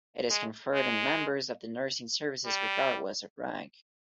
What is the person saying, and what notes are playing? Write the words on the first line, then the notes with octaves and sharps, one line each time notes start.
It is conferred on members of the nursing services regardless of rank.
G#3
G#3
G3